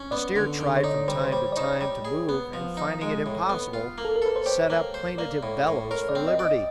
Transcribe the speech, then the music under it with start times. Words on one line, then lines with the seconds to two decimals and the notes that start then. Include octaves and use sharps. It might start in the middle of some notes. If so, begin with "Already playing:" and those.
The steer tried from time to time to move and, finding it impossible, set up plaintive bellows for liberty.
Already playing: C#4
0.11 B3 D5
0.36 D3
0.60 D3
0.77 C#5
0.84 D#4 D5
1.08 G3 C5
1.24 C5
1.32 G3 C#5
1.52 D5
1.56 D#4 C#5
1.81 G3
2.05 G#4
2.29 B3
2.53 F3
2.77 D#4
3.01 G#3
3.26 A2
3.49 B3
3.73 F4
3.98 A#3
4.05 A4
4.16 A#4
4.22 A4 B4
4.36 C5
4.46 G4 C#5
4.70 A#3
4.94 C5
5.18 A#3 D5
5.43 A2
5.67 A2
5.91 A#4 C#5
6.09 D5
6.15 C4
6.28 D#5
6.39 D5
6.45 D#5